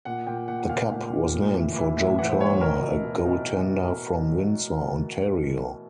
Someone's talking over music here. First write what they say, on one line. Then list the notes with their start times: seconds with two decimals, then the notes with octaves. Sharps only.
The Cup was named for Joe Turner, a goaltender from Windsor, Ontario.
0.05 A#2 F#5
0.27 A#2 G5
0.48 A#2 F#5
0.60 F#5
0.69 A#2 F5
0.91 A#2
1.12 A#2
1.34 A2
1.55 E3
1.76 E3
1.98 A2 E5
2.19 E3 F#5
2.29 C5
2.41 A2 C#5
2.61 B2 A#4
2.82 B2
3.04 B2
3.25 B2